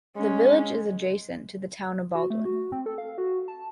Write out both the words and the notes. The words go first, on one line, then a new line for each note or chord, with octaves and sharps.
The village is adjacent to the Town of Baldwin.
G#3 C#4
F#4
A3
F#4
C4
A4
F5
F#4
A5